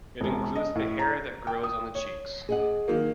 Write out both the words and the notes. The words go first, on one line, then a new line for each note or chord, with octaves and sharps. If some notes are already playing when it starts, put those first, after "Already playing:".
It includes the hair that grows on the cheeks.
E1
D#5
A2
A#5
G5
D#6
C#5
G#4 D#5 F#5
D#3 F#3 A#3